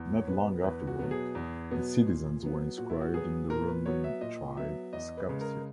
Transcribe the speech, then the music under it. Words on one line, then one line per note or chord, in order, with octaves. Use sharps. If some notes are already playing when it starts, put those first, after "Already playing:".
Not long afterward, its citizens were inscribed in the Roman tribe "Scaptia".
Already playing: E2
C#5
B2 F#3 B3 B4
E2 B4
F#4
B2 F#3 B3
G#4
E2
B2 F#3 B3
A#2
F#3 B3
A#2 F#4
E4
F#4
F#3 B3 G#4
A#2 A#4
B4
F#3 B3 C#5
E5
A#2 D#5
F#3 B3 E5
E2 D#5
B4
C#3 G#3
A#4